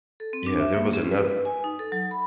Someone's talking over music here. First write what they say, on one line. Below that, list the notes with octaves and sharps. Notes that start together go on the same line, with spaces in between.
yeah, there was another
A4
C4
D4
E5
A#3
C#4
B4
G#5
D#4
A4
F#3
B5